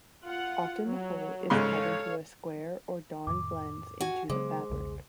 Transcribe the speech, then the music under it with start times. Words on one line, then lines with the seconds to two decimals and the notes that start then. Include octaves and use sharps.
Often the hole is cut into a square or darn blends into the fabric.
0.24 F4 F#5
0.85 F#3
1.50 G#2 C#3 A4 C#5 F5 C6
3.27 F2 A2 D#3 D6
4.01 F#4 G#5
4.30 C#3 F#3 G#3 B3 C5 D6
4.70 B1 E2 C#3